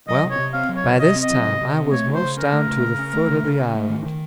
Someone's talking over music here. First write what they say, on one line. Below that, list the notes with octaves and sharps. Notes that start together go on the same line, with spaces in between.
Well, by this time I was most down to the foot of the island.
F#3 D#5
C3
C#5
C3
C4 F5
F#3
C#5
C3
C3 D#5
C4
D#5
F#3
C3
C3
C4
A3 C#5
C#3
C5
C#3
C#4 A#4
A3
C#3
C#3
C#4
A3
C#3
C#3
C#4
A3
D#3
D#3